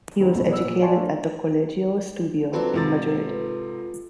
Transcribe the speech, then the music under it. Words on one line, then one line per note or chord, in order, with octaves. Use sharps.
He was educated at the "Colegio Estudio" in Madrid.
D#3 F#3 G3 A3 C4
E1 C#2 A2 E3 A3
B3 G#4 D5 E6
A#2
F4 F#4 D5 G#5 A5 C6
A3 A#3 D4
F#3 C4 D4 F4 A4 B4
G#2 C3 A6